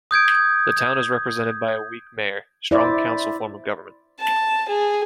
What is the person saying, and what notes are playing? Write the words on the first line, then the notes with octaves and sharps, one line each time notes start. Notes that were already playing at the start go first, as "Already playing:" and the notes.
The town is represented by a weak mayor - strong council form of government.
D#6 G6 G#6 D7
E4 C5 D5
A5
G#4